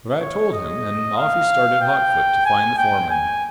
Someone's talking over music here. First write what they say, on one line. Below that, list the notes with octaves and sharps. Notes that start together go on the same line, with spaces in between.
But I told him, and off he started hot-foot to find the foreman.
C#5
D#5
F5
G5
G#5
G5
G#5